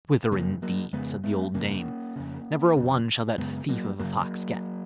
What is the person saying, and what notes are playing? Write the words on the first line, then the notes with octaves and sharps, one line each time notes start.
'Whither, indeed', said the old dame; 'never a one shall that thief of a Fox get.
F2 C#3 F#3 A#3
F#3 A#3
F2 C#3 G#3 B3
G#3 B3
F2 C#3 A#3 C#4
F2 C#3
F2 C#3
F#2 C#3 G#3 B3
F#3 A#3
F#2 C#3 F#3 A#3